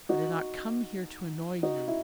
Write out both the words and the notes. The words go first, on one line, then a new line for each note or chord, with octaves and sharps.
I did not come here to annoy you.
D#4 F#4
D#4 F#4
E4